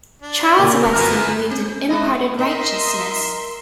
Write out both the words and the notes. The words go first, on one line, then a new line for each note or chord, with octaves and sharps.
Charles Wesley believed in imparted righteousness.
D4
A#2 C#3 A#4
G1 F#2 B3 E4 A#5 F6
C4
G#3 E4 D#5
D#4 A#4 D#5 E5 C6